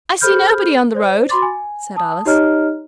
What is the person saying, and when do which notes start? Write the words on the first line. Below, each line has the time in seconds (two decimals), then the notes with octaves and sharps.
'I see nobody on the road,' said Alice.
0.21 G#4 A4 C5 B5 F6 G6
0.94 C5 D5
1.29 F#4 B5 C6 D6 A6
1.42 G#5
1.96 A5 D#6
2.26 D#4 G4 C#5 D#5 A#5 F6